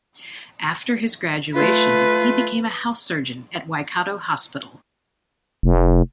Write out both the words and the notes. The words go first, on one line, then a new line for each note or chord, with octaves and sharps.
After his graduation he became a house surgeon at Waikato Hospital.
A3 F4 B4
F1